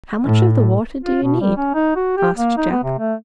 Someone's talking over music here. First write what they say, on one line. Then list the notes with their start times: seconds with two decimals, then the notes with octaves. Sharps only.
"How much of the water do you need?" asked Jack.
0.24 A2
1.03 F4
1.23 B2
1.40 G3
1.57 C#4
1.74 D#4
1.96 F#4
2.17 G4
2.36 A#3
2.57 D#4
2.71 B3
2.84 C3
2.99 A3